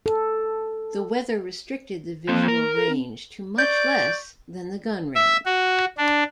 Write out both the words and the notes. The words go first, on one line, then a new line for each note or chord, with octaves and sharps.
The weather restricted the visual range to much less than the gun range.
A4
F3 A#3 C4
A#4
A4
C4
D5 C#6 G6
E5
F#4
D4